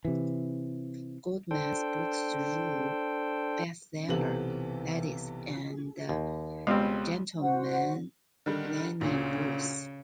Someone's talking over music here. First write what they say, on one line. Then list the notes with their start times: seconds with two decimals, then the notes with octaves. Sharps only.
Goldman's breakthrough bestseller, Ladies and Gentlemen - Lenny Bruce!!
0.05 C3 E3
1.51 D4 A4 C5 G5
4.09 B1 C3 E3 B3 A4 F#7
6.09 D#2
6.67 C#2 B2 G3 G#3 C4 F5
7.41 F#4 C5 F#5
8.46 D3 D#3 G3
9.01 D2 A#2 C#3